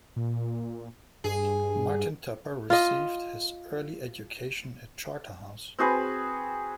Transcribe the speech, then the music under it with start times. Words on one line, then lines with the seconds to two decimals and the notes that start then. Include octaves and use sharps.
Martin Tupper received his early education at Charterhouse.
0.16 A#2
1.24 G2 G#4
2.70 F4 D#5
5.79 C4 F#4 G#4 B4